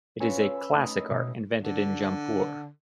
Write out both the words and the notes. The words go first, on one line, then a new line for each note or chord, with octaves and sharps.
It is a classic art invented in Jampur.
C#4 F4 A4 B4 C#5 G#5
E6 C7
B5
A3 D#4 E5
B2
D3